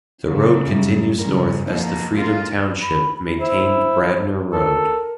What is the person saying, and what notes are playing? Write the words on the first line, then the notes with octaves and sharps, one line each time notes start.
The road continues north as the Freedom Township-maintained Bradner Road.
C#3 F#3
F#2 G3
G2 C#3 A#4
B2 F3 A#3 D#4
G#3 A#3 F4
B5
E4 C5
A4 A#4